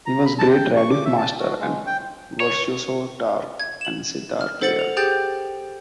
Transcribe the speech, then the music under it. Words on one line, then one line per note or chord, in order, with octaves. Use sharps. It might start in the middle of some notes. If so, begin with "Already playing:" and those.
He was a great radif master and virtuoso tar and setar player.
A#5
B5
A5
G5
C#6
D6
E5
A5
F#4
G#3
G5
C#5
G#6
E7 F#7
F6
A4 C5 F#5 A6 C#7 F#7
F7
G4 G#4 G5 G6 A6